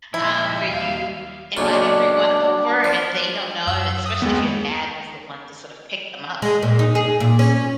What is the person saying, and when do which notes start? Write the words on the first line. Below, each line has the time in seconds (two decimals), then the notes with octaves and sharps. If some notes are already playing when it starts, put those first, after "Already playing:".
um, where you invite everyone over and they don't know, and especially if your dad is the one to sort of pick them up,
0.14 A#2 F3 D#4 E4 E5
0.70 D#2 F5
1.57 B1 A#2 C#3 D4
2.84 F3
3.67 F#2 E6
4.06 D#6
4.22 D#2 G#3 B3
6.42 G#3
6.63 A#2
6.79 D#4
6.95 G#4
7.20 A#2
7.39 C#4